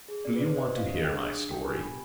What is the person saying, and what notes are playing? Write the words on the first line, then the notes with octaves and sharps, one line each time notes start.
"Do you want to hear my story?"
G#4
C4 D5
B4
C4 D5
C5
C4 D#5
D#5
G4
F5
D4 D#5
G#4 G5
D4
D4
D4 G5
G4 G#5
B3 B5